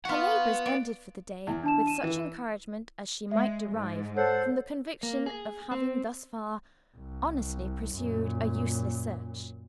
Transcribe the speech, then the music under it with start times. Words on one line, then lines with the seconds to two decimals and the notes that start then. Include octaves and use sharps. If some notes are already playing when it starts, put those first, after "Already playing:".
Her labors ended, for the day, with such encouragement as she might derive from the conviction of having, thus far, honestly pursued a useless search.
0.05 F4 F#4 B4 F#5
0.66 D5
1.47 E2
1.63 D4 A5 E7
1.87 D#7 E7
2.03 E3
3.31 G#3 E5
3.73 G#2
4.17 A4 C5 C#5 F#5
5.03 A#3
5.26 G#4
5.71 C4
6.97 C2
7.96 F#2 A#2